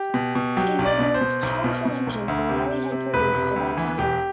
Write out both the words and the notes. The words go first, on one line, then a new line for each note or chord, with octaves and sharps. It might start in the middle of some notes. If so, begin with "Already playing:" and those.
It was the most powerful engine Ferrari had produced to that time.
Already playing: G4
B2
B2
F#3 G4
B1
D5
B2
C5
B2
B1
B2
B2
B1
D2
C3
C3
C3
E1 B4
C3
D2
E3
E1 G4